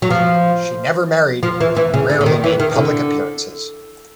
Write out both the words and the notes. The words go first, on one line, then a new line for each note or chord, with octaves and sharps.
She never married and rarely made public appearances.
F#3
F3
F3
E3
E3
C#3
D3
D3
D#3
E3
D#3
D3